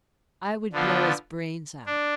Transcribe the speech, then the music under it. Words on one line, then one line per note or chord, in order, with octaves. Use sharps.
'I would blow his brains out.'
D3 F3 B3 F4
D4